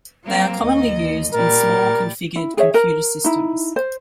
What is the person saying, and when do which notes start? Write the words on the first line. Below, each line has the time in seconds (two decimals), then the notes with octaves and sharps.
They are commonly used in small-configured computer systems.
0.24 F#3 A#3 C4
0.61 D#2 D#5
1.33 A#2 G3 A#4 A6
2.36 E4
2.57 G#4 C#5 E5
2.74 A#4
3.24 D#4 E4
3.76 C5